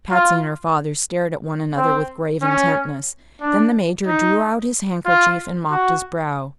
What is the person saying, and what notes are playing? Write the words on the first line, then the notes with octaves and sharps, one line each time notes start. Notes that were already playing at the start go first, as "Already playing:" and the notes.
Patsy and her father stared at one another with grave intentness. Then the Major drew out his handkerchief and mopped his brow.
F4
C4
C#4
D4
D#4
F4
F#4